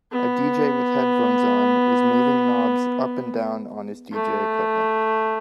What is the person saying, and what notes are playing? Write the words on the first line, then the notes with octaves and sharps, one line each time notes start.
A dj with headphones on is moving knobs up and down on his dj equipment.
B3
A3